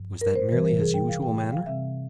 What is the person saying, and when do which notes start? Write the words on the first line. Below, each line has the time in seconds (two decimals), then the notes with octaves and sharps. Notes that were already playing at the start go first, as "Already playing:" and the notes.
Was that merely his usual manner?
Already playing: G2 F3
0.21 A#4
0.35 C5
0.50 C3 E3 G3 A#4
0.65 A#4
0.80 G#4
0.94 G5
1.09 F5
1.22 G5
1.37 G5
1.52 F5
1.66 C3 G3 C4 E5